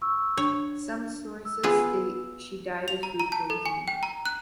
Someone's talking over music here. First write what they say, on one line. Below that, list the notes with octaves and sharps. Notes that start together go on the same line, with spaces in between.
Some sources state she died of food poisoning.
C#6 E6
D4 C#5
E6
B3 F4 G#4
F7
A#5
A#5
A5
A4
G#5
G5
A#5
F#6